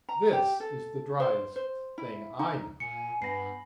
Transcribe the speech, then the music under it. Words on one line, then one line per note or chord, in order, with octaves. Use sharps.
This is the driest thing I know.
A#5
G4
A4
C5
C5
E4
D#4
A#2 G#5 C#7
G2 B3 G#5 B5 A#6 C7